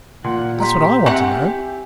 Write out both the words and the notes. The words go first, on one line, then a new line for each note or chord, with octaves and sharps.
That's what I want to know.
A#2 F#5
G4 A#5 C6 B6
C4 E5 F#5 G#5